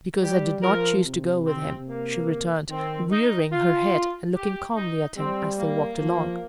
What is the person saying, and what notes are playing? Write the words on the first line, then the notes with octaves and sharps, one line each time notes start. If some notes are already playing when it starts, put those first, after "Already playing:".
"Because I did not choose to go with him," she returned, rearing her head and looking calmly at him as they walked along.
G3 G4
F3 A#4
C3
C4
A#3
D#3 C4
D#4
F4
G4
D#4
G3 C4
A#3
F3